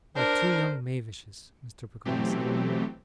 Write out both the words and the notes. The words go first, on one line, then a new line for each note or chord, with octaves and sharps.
'Like two young mavishes,' Mr. Peggotty said.
D4 A#4 C5
B2 E3 F#3 A3 C4 G4